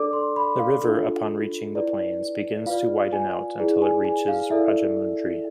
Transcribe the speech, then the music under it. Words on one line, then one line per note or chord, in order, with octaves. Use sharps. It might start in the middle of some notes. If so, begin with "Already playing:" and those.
The river upon reaching the plains begins to widen out until it reaches Rajamundry.
Already playing: D4 A4 D5 D6
C6
B5
F5
D4 F4 A4
E4 B4 D5
F4 B4 D5 F5
G#5
E4 G#4 B4 D5
G#5
G#5
F5
E4 A4 D5 E5